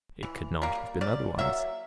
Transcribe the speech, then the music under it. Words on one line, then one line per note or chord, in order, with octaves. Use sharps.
It could not have been otherwise.
E3
G3 A#3
C#3 D5
F#3 A#3 E5